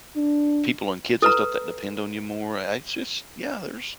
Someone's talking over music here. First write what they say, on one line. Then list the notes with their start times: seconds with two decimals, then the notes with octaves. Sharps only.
people and kids and stuff that depend on you more, I it's just, yeah, there's
0.17 D4
1.22 A4 B4 A#5